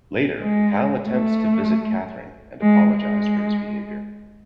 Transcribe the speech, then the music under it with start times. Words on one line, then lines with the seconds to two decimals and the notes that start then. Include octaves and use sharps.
Later, Hal attempts to visit Catherine and apologize for his behavior.
0.39 G#3
1.03 A3
2.61 G#3
2.93 G#3